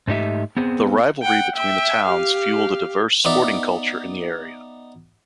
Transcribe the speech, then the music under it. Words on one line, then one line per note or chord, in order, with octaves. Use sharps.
The rivalry between the towns fuelled a diverse sporting culture in the area.
G#2 A3 C4 D#4 G4 E5
B3 C4 G#4
F#5 G5
E5 G5
G4 F5
B3 D#4 D5 E5